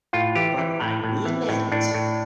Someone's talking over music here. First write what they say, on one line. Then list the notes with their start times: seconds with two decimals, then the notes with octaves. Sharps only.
But I mean it.
0.13 A2 F4
0.35 E3 G4
0.58 E3
0.81 A2
1.04 A2
1.25 E3
1.49 A2
1.72 A2 D4
1.94 A2